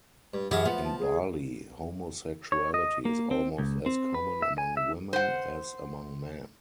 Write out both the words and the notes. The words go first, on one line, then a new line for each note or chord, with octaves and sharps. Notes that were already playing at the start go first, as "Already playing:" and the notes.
In Bali, homosexuality is almost as common among women as among men.
G2
F#2 E3 G4 G#4 F5 F#5
F3 B3 F#5
A5
G#4
C#5
D#5
A#3
C4
C#2
C4
B4
E5
G#5
E5
C5 F#5